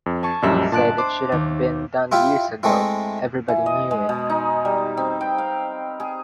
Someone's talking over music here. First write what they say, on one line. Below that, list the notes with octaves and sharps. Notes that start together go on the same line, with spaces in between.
He said it should have been done years ago, everybody knew it.
F2
G#5 A5 C#6
A#1 F#2 G3 D4 D#5 E5
G1 A#2 A5 F#6 D7
C5 D6
D#2
E4 F4 G4 E5
G#3 A3 C4 E4
E3
D#5
G#3
B2
D#4
G3
C4
G5
F5
G#4